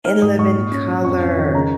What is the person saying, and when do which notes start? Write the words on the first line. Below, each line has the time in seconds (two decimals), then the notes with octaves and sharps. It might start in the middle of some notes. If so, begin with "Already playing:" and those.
In Living Color.
0.05 D#4 F6
0.22 G#2 D#6
0.38 G#2 C#6
0.55 A#2
0.72 C#4
0.88 C#4
1.05 F2 C#6
1.21 C#4
1.38 D#3
1.54 C#3 A#5